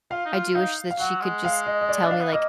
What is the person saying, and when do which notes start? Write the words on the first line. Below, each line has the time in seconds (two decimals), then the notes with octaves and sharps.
I do wish that she could just tell me, like
0.11 F4 F5
0.26 D#4
0.33 F4
0.55 D#4 F5
0.90 F5
0.99 F#3 F#5
1.21 G#3
1.45 F5
1.66 D#5
1.81 D#5
1.89 D5
2.01 D#5
2.06 D4 F5
2.20 B3
2.33 A#3 D#5